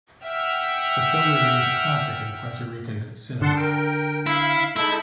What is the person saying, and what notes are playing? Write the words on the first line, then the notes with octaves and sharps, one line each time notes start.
The film remains a classic in Puerto Rican cinema.
E5 F#5 G5 F6
D3 F#5 A5 C6
A#4 G5
E4 F5
G#3 D#4 E4 A4